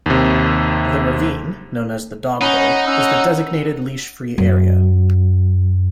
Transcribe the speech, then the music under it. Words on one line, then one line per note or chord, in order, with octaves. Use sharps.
The ravine, known as the dog bowl, is the designated leash-free area.
D#2 C3
C#4 D#4 F#5 A#5 B5
C#4 F#5 E6
F#2